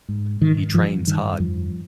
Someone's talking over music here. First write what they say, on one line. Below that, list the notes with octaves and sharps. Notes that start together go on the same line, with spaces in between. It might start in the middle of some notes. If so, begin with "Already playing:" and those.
He trains hard.
G#2
G#2 D#3
G2 F3
G2 D#3
F2 F3